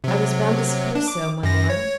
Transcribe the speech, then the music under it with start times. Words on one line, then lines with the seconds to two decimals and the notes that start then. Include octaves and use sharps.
"I was bound to suppose so, my lord."
0.04 C3 F#3
0.95 D4
1.08 D6
1.43 F#2 A#6
1.70 C#5